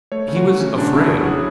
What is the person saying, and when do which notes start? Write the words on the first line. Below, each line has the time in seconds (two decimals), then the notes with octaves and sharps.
He was afraid.
0.12 A3 C#5
0.28 C#3
0.37 F#4
0.45 F#3
0.60 A3 C#4
0.78 C#3 D4
0.94 C#3 E4
1.04 G#4
1.10 E2 F#4
1.26 F#3 G#4